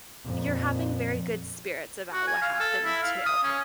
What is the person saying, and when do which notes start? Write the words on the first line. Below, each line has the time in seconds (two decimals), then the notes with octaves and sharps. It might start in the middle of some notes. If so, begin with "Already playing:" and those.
You're having very good spirits about what happened, too,
0.24 F2 A#2
2.13 F#4
2.27 G#5
2.42 F5
2.60 A4
2.85 E4
3.02 F5
3.26 D#6
3.43 C#4